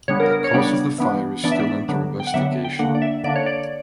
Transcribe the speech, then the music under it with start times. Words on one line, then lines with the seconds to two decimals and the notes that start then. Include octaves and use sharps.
The cause of the fire is still under investigation.
0.08 C#3 G3 B3 D4 C#5
0.20 A#4
0.31 A#4
0.44 C#5
0.53 C#3 G3 B3 D4 D5
0.98 E3 B3 D4
1.44 E3 B3 D4 D5
1.52 E5
1.60 D5
1.89 D3 F#3 B3 D4
2.20 G5
2.27 F#5
2.34 D3 F#3 B3 D4 E5
2.64 G5
2.79 D3 A#3 D4 F#5
2.95 D5
3.02 E5
3.24 D3 A#3 D4 D5
3.36 C#5
3.46 D5